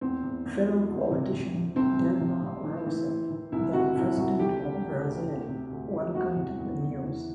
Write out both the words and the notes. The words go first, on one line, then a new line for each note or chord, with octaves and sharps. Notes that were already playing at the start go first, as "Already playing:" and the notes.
Fellow politician Dilma Rousseff, then president of Brazil, welcomed the news.
E2 C4
E2
E2
F#3
D2
C3
C3
C3
C2 C4
C3
C3
C3
E3
E3
E3
E3
C2 E4
C3 F#4
C2 E4
C2 F#4
D2 G4
D3
D2
D2
D2
C3
D2
D2
E2 F#4
C3
E2
E2
E3